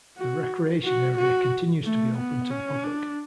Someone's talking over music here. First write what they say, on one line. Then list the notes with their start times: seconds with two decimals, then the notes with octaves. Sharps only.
The Recreation Area continues to be open to the public.
0.17 F#4
0.84 F#4
1.17 F#4
1.84 A3
2.17 B3
2.50 C#4
2.83 D4